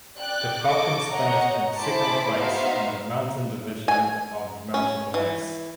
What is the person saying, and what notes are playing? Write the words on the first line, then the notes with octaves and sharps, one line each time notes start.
The Falcons finished in second place in the Mountain Division of Mountain West.
D5 G5 F#6
A4 D#5 C#6 D6
C#5 D#5 F#5 A#5
E4 G#4 C5 A5 B5 D6
B3 D#4 F#4 C5 E5 F5
G#5
C#4
E3